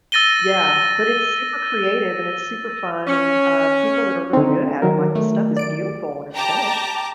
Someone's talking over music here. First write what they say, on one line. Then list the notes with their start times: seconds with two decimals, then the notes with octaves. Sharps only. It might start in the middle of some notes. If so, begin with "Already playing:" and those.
Yeah, but it's super creative and it's super fun and, uh, people that are really good at it, like, the stuff is beautiful when it's finished.
0.12 E6 A6 A#6 D#7 G7
3.08 C#4
4.33 D3 C4 D#4
4.82 D#3 F#3 A#4
5.15 A3
5.56 D5 D7
6.34 G4 G5 A5 A#5 D6